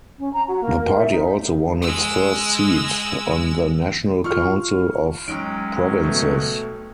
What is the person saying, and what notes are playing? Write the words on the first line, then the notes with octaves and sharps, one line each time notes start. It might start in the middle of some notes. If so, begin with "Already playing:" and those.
The party also won its first seat on the National Council of Provinces.
C#4
A#5
F#4
A#3
A#4
E5
D#4
G#3 E6
F4 C#6 F6
F#3 G#3 C#4 D#4 G5 D7
B2 A3